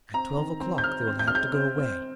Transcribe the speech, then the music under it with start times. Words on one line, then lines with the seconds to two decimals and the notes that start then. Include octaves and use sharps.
At twelve o'clock they will have to go away.
0.14 C4 A#5
0.37 D#3
0.61 C4
0.78 G6
0.84 C4 F6
1.07 C4
1.19 G6
1.28 F6
1.31 C4 G6
1.54 C4
1.78 C4